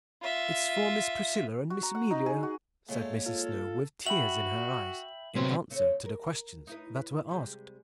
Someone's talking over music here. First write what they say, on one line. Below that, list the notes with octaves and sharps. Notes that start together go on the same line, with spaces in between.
"It's for Miss Priscilla and Miss Amelia,'" said Mrs. Snow, with tears in her eyes, in answer to the questions that were asked.
F4 E5
F#4
A#5
F#5
D#4
G#4
F#4
A#2 G#3 A3 C#5
F4 A4
F#4 E5 G5 B5 F#7
C3 F#3 C4 C#4 B4 C5
C#3 C4 C#5
A#4
D#4 E4 B4
B4
C3 G3 G#3